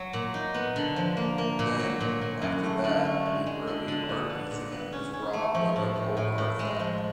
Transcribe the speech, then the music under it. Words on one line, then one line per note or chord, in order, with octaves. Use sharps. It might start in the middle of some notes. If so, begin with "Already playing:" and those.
Then, after that, the Early Art Museum is robbed of a gold artifact.
Already playing: F#3
A#2
D#4
B3
D3
F3
A#3
A#3
A#2
F#3
A#2
A#2
F#2
A3
D3
A3
G#3
G#3
D3
D3
A#2
B3
A#2
B3
C#4
C#4
A3
F3
A2
A2
A2
A2
G#3
F3